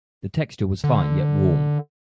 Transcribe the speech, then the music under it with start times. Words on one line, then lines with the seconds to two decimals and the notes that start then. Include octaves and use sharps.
The texture was fine yet warm.
0.84 D3